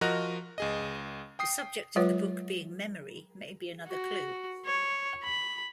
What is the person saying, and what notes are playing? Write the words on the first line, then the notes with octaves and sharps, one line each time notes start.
The subject of the book being memory may be another clue.
F3 F#4 A#4 D#5 A#5 F#6
C#2 G#4 D#5
G5 D#6 C7
F#3 G#3 F4 B4 C#5
F#4
C#5
B5